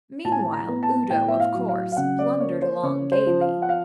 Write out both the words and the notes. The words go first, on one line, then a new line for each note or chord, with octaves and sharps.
Meanwhile Udo, of course, blundered along gaily.
A2 A5
G#5
A5
A#5
B3
A5
A2 G5
E5
F5
F#3
F5
F5
C#3 F#5
D5
A#3 C#5
C5
C#3 C#5
C5
F3
F5
F#5
F5